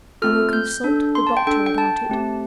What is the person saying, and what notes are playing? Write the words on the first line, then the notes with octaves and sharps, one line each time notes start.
I will consult the doctor about it.
A3 C4 F4 A4 F6
G6
D4 A4
C6
A5
G5
D4 A4 G5
G5
A5
A3 C4 G4